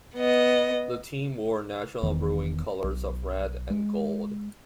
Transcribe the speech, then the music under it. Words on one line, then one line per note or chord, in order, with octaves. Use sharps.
The team wore National Brewing's colors of red and gold.
B3 D#5
E1 E2 D#3
B1
G#3